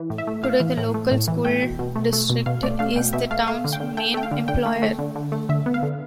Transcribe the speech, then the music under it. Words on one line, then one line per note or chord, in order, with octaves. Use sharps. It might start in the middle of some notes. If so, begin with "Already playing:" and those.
Today the local school district is the town's main employer.
Already playing: E3
A2
E5
A3
A2 F5
E3
A2
A3
A2
E3
A3 G5
B2
B2
A3
A3
B2
B2 F5
A3 D5
A3 F5
B2 G5
B2 E5
A3 F5
A3 F5
D3
G5
D3
A3 G5
A3 G5
F5
D3
D3 G5
A3
A3
D3
D3
A3
D3 E5
B3
F5
D3